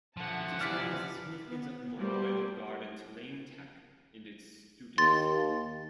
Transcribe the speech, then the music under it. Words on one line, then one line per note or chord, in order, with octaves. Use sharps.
It explains the significance of the Memorial Garden to Lane Tech and its students.
D3 F3 E5 F#5 A5
C3 E3 D5 F6 B6
B3
G3 A3 A#3 G4 C5
D#2 C6 A6